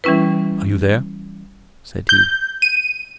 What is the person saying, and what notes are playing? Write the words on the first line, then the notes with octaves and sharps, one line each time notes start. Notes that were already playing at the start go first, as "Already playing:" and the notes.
"Are you there?" said he.
E3 G3 C#4 E4 B4
G6
D#7